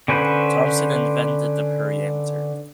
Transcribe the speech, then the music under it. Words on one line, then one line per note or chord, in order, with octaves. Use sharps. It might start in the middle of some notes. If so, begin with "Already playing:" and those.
Thompson invented the permeameter.
D3 C#4 B4 C5